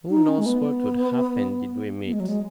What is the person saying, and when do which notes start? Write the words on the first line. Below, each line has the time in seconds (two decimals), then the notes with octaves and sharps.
Who knows what would happen did we meet.
0.10 D#4
0.28 C#4
0.38 G#3
0.46 B3
2.06 B3
2.13 G#3
2.20 F#3
2.28 G#3